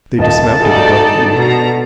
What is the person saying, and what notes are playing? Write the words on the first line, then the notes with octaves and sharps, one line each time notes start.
They dismounted abruptly.
D#1 A#3 D#5 A5
D2 D#4 G#4 A4 D5
B2 D3 A#5